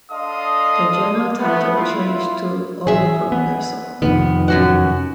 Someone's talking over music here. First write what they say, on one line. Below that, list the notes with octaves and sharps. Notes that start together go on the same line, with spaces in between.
The journal title changed to "O Progresso".
D4 A4 D#5 F5 C6 D#6
A3 B3
E4 F4
E3 G#4 E5
B3
F2 C3 D#3 B3
F#2 F#4 F#5